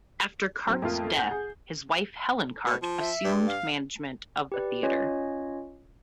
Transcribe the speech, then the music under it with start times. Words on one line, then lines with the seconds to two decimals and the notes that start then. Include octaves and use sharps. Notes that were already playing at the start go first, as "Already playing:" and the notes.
After Carte's death, his wife Helen Carte assumed management of the theatre.
0.68 F#3 C4
0.82 F2 A3 A#3 F4
1.17 F#5 G6
1.31 G#4
2.67 B2
2.82 F3
2.99 E5
3.25 G2
3.47 F5
4.52 G4 B4 D5
4.83 C#4 F4 C#5 D#5